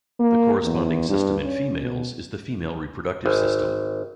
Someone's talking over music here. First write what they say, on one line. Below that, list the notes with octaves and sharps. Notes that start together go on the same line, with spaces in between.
The corresponding system in females is the female reproductive system.
A#3
E2
G2
C#4
B2
G#1